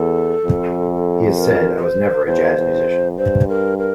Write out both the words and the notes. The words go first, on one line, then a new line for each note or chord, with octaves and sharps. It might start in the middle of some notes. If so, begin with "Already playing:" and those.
He has said, I was never a jazz musician.
Already playing: E2 A4
F2
A#4
C5
E2 C5
E2
F2
G2 C5
A#4
A#4